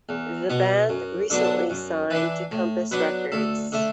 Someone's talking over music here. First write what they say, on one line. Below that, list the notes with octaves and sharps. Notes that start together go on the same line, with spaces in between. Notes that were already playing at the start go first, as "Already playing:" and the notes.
The band recently signed to Compass Records.
E2
B2 B3
F#2
D3 F#3 B3 D4
A5
F#2
E3 D4 B4
A2
F#3 B3 D4 B4
D2 A4
D3 A3